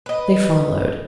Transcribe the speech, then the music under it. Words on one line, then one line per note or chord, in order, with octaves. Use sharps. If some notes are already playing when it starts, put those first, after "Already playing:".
They followed.
B4 D#5